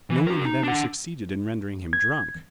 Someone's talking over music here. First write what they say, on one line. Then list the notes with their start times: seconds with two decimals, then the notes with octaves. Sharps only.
No one had ever succeeded in rendering him drunk.
0.10 E3
0.27 F#4 A#4
0.45 D#4
0.64 D4 F#5
1.93 G#6